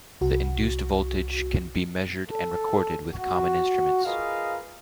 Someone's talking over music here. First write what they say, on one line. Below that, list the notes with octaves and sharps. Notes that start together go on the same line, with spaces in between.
The induced voltage can be measured and recorded with common instruments.
C2 F#4
A4
F#4
F4 G#4 A#4 B4 D#5 F5